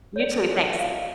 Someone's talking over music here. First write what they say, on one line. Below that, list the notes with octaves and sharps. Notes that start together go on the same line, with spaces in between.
You too, thanks.
C#5
D5
D#5
E5
F5
D#5